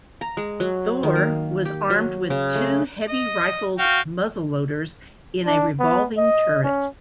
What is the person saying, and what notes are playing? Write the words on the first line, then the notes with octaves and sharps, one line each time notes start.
"Thor" was armed with two heavy rifled muzzleloaders in a revolving turret.
A#5
G#3
F#3
D#3
A#3
G4
F#3
C#3
A3
D#5
F#4 F5 G5
D4
B3
D#5
C#4